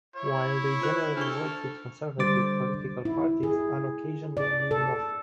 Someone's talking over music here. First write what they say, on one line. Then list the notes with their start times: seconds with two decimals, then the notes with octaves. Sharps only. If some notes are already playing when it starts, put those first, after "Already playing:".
While they generally worked with conservative political parties, on occasion they did not.
0.16 E4 C#5
0.82 F4 C5
1.17 D4 A4 C#6 F6
2.18 D3 G3 C5 D6 A6
3.05 E4
3.43 G#4
4.37 D5
4.71 A4